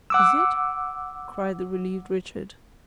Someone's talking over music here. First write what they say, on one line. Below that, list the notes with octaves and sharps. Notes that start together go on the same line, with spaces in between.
"Is it?" cried the relieved Richard.
F#5 D6 E6